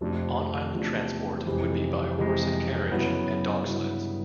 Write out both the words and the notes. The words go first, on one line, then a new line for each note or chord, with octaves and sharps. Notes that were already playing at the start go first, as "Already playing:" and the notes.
On-island transport would be by horse and carriage and dog sleds.
F2 C3 F3 A3 D4
E2 C3 F3 A3 D4
F2 C3 E3 G#3
C3 E3 G#3
G2 C#3 F#3 B3 E4
F#2
F2
F#2
G2 C#3 F#3 B3 E4